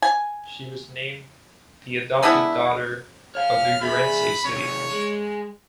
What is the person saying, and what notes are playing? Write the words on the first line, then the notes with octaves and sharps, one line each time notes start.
She was named the adopted daughter of the Ourense city.
G#5
G#3 B3 D4 E4
C#5 F5 F6
G#4 E5 B5
C3 D#3 C#5
G#3